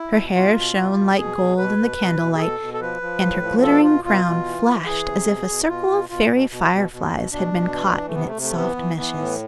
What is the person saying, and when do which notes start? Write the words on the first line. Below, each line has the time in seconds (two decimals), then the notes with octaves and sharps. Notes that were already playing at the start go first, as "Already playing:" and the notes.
Her hair shone like gold in the candlelight, and her glittering crown flashed as if a circle of fairy fireflies had been caught in its soft meshes.
Already playing: E4
0.13 B2
0.35 B2 F4
0.55 B2
0.76 B2
0.96 B2
1.17 B2 G#4
1.38 B2
1.58 B2 B4
1.78 B2
1.98 B2
2.19 B2
2.36 G#4
2.40 B2 A4
2.60 B2
2.74 A4
2.80 F3 B4
3.02 F3
3.22 A2
3.43 F3
3.63 B2 A4
3.83 B2 F4
4.04 B2 F4
4.25 B2
4.45 E3
4.66 E3
4.86 E3 G#4
5.07 C3
5.27 B2
5.48 B2
5.68 B2 F4
5.89 B2
6.10 B2 F4
6.31 B2
6.50 B2
6.71 B2
6.92 B2
7.12 B2
7.32 B2 D4
7.54 B2
7.73 E3
7.94 E3
8.08 A3
8.15 C3 B3
8.28 A3
8.35 C3
8.42 A3
8.55 E3 B3
8.76 E3
8.97 E3 B3
9.17 A2